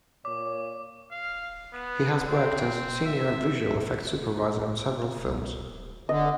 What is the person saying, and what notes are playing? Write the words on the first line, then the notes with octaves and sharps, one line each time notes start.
He has worked as senior visual effects supervisor on several films.
A#2 C#5 D6
F5
B3
C4
E5
D3 D#5